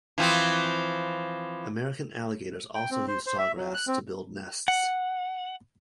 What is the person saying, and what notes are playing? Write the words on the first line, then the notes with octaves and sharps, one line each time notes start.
American Alligators also use sawgrass to build nests.
E3 F3 C4
G5
C4
C5
C5
E5
F#3
F#6
C4
F#5